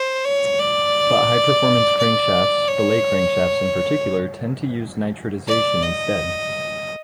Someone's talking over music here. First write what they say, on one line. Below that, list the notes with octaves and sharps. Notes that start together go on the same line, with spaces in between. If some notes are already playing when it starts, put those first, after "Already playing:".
But high performance crankshafts, billet crankshafts in particular, tend to use nitridization instead.
Already playing: C5
C#5
D5
D5
C#5
D5
D#5